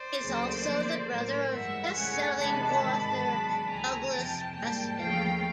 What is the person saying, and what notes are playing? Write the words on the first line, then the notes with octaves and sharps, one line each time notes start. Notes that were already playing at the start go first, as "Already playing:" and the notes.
He is also the brother of best-selling author Douglas Preston.
Already playing: C5 D5
D2 C#3 F#3 A#3
D3 F3 A#3
A2 F#3 A3 A#4 C5
G2 E3 G#3 E5 F#5
E2 C#3 E3 A3 C#4 F#5 G#5
C3 D#3 G#3 B3 D4 A5 B5
G#2 D#3 G#3
C#3 F#3 B3 D4
D2 C#3 E3 G#5 A#5
F2 C3 E3 G5 A5
G#2 E3 G3 A#3 G5 A5
D#2 C#3 F3 A3 F5 G5